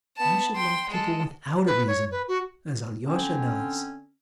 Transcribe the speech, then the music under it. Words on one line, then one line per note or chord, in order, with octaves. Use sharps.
"You should love people without a reason, as Alyosha does."
B3 A5
G5 C6
G#3 A4
B4
C#5
B4
F#4
D3 C4 C#4